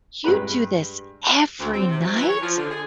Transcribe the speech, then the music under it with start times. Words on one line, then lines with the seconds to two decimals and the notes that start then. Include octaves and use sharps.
"You do this every night?"
0.24 G2 G#3 B4 B5
1.59 D2
1.73 C4
1.88 C3
2.00 F#3
2.16 E3
2.28 C#5
2.42 F3
2.56 D3
2.70 G#4